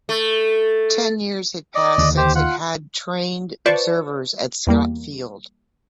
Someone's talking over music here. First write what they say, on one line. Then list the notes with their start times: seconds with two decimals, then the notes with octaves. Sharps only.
Ten years had passed since it had trained observers at Scott Field.
0.09 A3
1.75 D5 D#5
1.98 D#2 D3
2.17 G4 C5
2.35 F4 F#5
3.66 F4 B4 C5 D5 A5 C#6
4.67 E2 G3 A#3